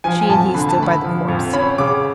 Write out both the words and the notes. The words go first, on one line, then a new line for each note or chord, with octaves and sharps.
She and he stood by the corpse.
F3 G#5
G#5
F2 A5
D3 B5
A5
A3 B5
F3
F2
C#4 B5
C#3 D6